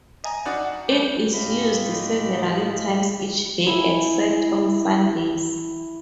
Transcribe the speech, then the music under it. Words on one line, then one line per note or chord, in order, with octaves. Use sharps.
It is used several times each day except on Sundays.
D#5 G#5 A#5
F#2 D4 D#4 F#4 D5 F#5
F#5
G3 A3 D4 G4
A2 G#3 G4 D#5 F5 B5
E4 G#5